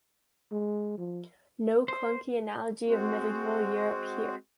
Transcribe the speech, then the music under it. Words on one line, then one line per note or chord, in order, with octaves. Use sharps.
No clunky analogy of medieval Europe here.
G#3
F3
C5
G#3 C4 F#4